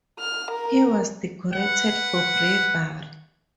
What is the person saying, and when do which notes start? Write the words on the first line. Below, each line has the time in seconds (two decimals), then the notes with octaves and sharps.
He was decorated for bravery.
0.19 F6
0.51 A#4
1.53 B4 F#5